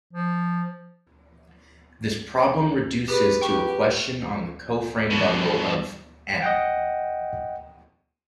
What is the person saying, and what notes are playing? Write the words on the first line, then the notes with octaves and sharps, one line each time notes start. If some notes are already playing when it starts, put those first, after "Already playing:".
This problem reduces to a question on the coframe bundle of "M".
F3
G4 G#4 B4
G4 B4 G5 C#6
G2 B2
D#5 F#5 G5